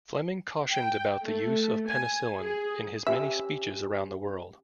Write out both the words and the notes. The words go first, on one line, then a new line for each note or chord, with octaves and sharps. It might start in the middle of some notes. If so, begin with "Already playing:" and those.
Fleming cautioned about the use of penicillin in his many speeches around the world.
G5
A3
G#5
G#4
C#4 G4 E5 G#5